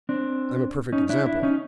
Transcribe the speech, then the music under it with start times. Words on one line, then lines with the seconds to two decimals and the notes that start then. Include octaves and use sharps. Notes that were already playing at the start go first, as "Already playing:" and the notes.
I'm a perfect example.
0.09 C4 D4
0.92 C#4 D#4
1.09 D4 E4
1.26 D4 E4
1.43 C#4 D#4